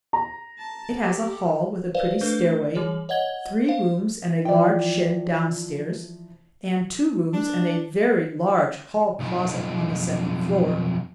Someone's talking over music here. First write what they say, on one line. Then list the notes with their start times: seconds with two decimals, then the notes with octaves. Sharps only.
It has a hall with a pretty stairway, three rooms and a large shed downstairs, and two rooms and a very large hall closet on the second floor.
0.13 A#5
0.58 A5
1.00 G4 A4
1.94 B4 C5 D5 F5
2.21 A3 D4 A4 B4
2.75 E3 G3 G#4 C#5
3.09 C#5 D#5 F#5 G#6 G7
3.68 C5 F5
4.45 E3 F3 D5 G5
7.34 D4
9.20 B1 F2